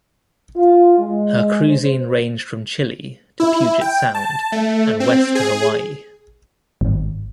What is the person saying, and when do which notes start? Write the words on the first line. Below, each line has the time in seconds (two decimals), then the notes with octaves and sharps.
Her cruising ranged from Chile to Puget Sound and west to Hawaii.
0.56 F4
0.99 G#3
1.68 C5
3.40 E4
3.81 G5
4.14 A5
4.52 A3
5.00 C4
5.35 G#4
6.81 G#1